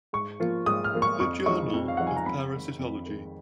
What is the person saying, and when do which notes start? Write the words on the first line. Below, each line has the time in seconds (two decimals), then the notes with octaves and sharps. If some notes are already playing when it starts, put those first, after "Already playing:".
The Journal of Parasitology.
0.13 G#2 C#6
0.40 F3 A#3 F4
0.66 G#2 D#6
0.84 F6
0.93 F3 A#3 F4
1.02 C#6
1.20 F2 C#6
1.46 F3 G#3 D#4 C#6
1.73 F2
1.88 F5
1.97 F3 G#3 D#4 F#5
2.07 G#5
2.16 A#5
2.26 F2 B5
2.53 D#3 G#3
2.79 F2
3.06 D#3 G#3